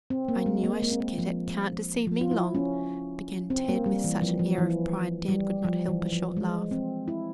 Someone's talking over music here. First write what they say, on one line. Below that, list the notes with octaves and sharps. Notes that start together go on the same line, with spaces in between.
'I knew I should get it; can't deceive me long,' began Ted, with such an air of pride Dan could not help a short laugh.
C4
A#3
G#3
A#3
A#3
C4
A#3
F3
F3
F4
E4
C#4
C4
A#3
G3
E3
F3
F3
E3
G3
F3
E3
F3
G#3
C4
E4